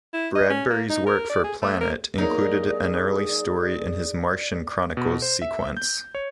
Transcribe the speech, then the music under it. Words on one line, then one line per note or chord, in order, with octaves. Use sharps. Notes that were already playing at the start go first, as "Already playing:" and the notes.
Bradbury's work for "Planet" included an early story in his "Martian Chronicles" sequence.
E4
D#5
C#4
A#3
D#4
A#4
D5
G#4
A3
A#4
F#3 A#3 D#4 G#4 A#4 D5
B2
C5
E5
G6
C#5